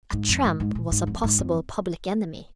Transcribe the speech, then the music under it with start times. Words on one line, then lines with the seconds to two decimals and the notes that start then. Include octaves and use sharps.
A tramp was a possible public enemy.
0.13 G#2
0.28 F2
0.44 G#2
0.60 G#2
0.75 A#2
0.91 G#2
1.07 F2
1.23 G#2
1.38 F2